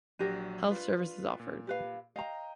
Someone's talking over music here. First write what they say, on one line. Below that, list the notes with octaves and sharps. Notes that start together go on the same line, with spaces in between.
Health service is offered.
A#1 F#3 D4 G4 A#4 D#7
F4 B4
A#2
G4 B4 F5
D#5 F5 G5 A#5